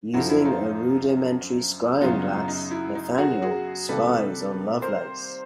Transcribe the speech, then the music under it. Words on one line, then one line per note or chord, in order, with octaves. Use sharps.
Using a rudimentary scrying glass Nathaniel spies on Lovelace.
F#2 D3 F3 E4 F#4
E4
D#4 F4
F#2 C#3 F#3 B3 D#4 F4
D#4
E4
D#4
F#4 G#4
F#4 G#4
C3 D#3 G3 A#3 A4 B4
A#4 C5